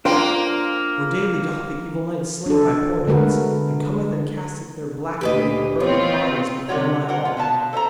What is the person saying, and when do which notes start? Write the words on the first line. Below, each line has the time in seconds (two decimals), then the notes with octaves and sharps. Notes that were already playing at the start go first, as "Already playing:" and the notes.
For daily doth the evil knight slay my poor knights, and cometh and casteth their blackened and burned bodies before my hall.
0.05 A#3 D4 F4 C5 G5
2.46 D4 A4
3.07 D3 G#3 A3 F#4 A#4 B4
5.21 D2 A#2 G4 B4 D#5
5.80 B3 C4 F4 C#5
6.68 C3 G3 F4 F#4 C#5
7.09 A#4 C5 F#5
7.25 F4
7.37 B2 F5 A5
7.73 A4 C5 E5 A#5